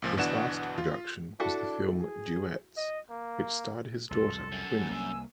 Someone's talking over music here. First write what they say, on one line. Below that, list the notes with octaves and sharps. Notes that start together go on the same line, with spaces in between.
His last production was the film "Duets", which starred his daughter, Gwyneth.
C#2 A#2 F3
G1 B2 E3 D4 F#5 E7
F4
D4 E4 F#4 A4
G#4
D#5
A#3
C2 F2 A4 C6
F#2 G#5
C2 A#3 G#5 E6